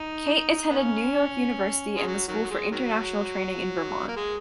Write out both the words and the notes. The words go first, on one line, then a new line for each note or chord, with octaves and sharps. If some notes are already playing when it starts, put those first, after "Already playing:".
Kate attended New York University and the School for International Training in Vermont.
Already playing: D#4
B3
C#4
G#3
F#3
D#3 F#3
G#3
D#3 F#3
A#3
G#3